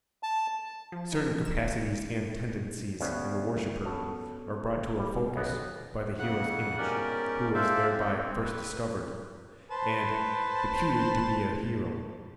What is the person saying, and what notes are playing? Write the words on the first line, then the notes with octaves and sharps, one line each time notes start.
Certain capacities and tendencies in the worshipper are brought to a focus by the hero's image, who is thereby first discovered and deputed to be a hero.
A5
F3
D#4
E3
E7
D2 B3 C#4 G4 F5
B3 C#4 F#4 A4 A5
G3
B1 B3 F#4 G4
F2 C#3 F#5 F#6
G#2 B2 C#4 G4 A#4 D5
A4 C5 D5 E5 F5
C4
B4
B4 C5 A5